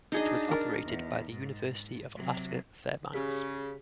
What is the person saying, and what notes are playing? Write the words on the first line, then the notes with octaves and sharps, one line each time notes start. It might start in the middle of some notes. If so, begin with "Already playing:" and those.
It was operated by the University of Alaska Fairbanks.
D4 D#4 F#4 G#4 D#5
A#4
E2
G#2
C3 F#3
C#3 G4 G#4 B6